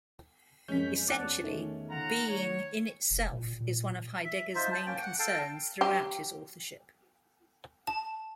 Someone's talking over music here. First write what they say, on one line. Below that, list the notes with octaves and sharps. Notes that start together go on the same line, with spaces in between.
Essentially, Being in itself is one of Heidegger's main concerns throughout his authorship.
F#2 F3 G#3 C#4 G6 B6
E2 D5 F#5 A5
D#3 A3
F4 F#5 A#5
C#5
F1
A#2
A#2
E5
D#4 F4 C5 E5
A5
A#3 C#4 G5
F#5
A4 F5 G5 A5
F#3 G4
A5